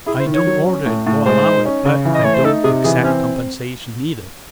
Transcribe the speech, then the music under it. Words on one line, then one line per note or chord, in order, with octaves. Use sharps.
I don't order it or allow it, but I don't exact compensation either.
E4 G#4
C5
D#3
C#5
F#3
C#4
A2
A2
G#3 C5
D#4
C#4
C#3
E3
D#5
A3 C#5
C5
D#4 A4
C3 G#4
E3 G#4
C4 C#4